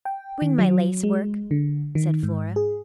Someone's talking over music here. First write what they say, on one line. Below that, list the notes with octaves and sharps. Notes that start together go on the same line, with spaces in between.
"Bring my lace-work," said Flora.
G5
D#3
F#3
G#3
D3
D#3
G#2
G#4